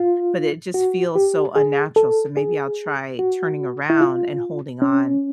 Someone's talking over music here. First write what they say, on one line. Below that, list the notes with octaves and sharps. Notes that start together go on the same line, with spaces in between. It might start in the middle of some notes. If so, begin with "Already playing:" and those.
but it just feels so unnatural, so maybe I'll try turning around and holding on,
Already playing: F4
F#4
G4
G#4
A4
G#4
F#4
E4
F4
C#4